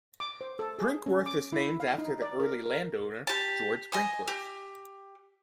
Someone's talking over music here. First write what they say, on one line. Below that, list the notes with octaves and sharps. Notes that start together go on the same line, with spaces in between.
Brinkworth is named after the early landowner, George Brinkworth.
D6
C5
A4
G#4
C#4
D6
E4
F5
D#4
D5
A#4
A#4
G4 A5
D#5 G#5 D#6
G4